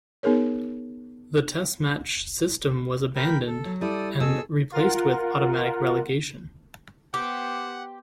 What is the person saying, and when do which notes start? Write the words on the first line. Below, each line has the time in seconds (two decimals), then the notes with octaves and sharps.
The "test match" system was abandoned and replaced with automatic relegation.
0.23 B3 D#4 G#4 A#4 C#5
3.16 A#4 G5 B5
3.47 A4
3.65 F#3
3.81 G3 E4 A4 D5 D#6
4.20 B2 B3 G#4 A4 E6
4.72 F4 A#4 F#5
7.14 B3 G4 C5 F#5 D6